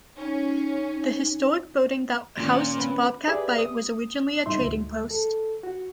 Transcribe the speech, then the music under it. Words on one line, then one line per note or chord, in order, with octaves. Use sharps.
The historic building that housed Bobcat Bite was originally a trading post.
C#4 D#4
A#2 D#3 C#4 F4
B3 C4
G4 G#4 B4 D5 E5
D#6
A2 G3 D#4 E5 C6
D2 G#3
A4
F#4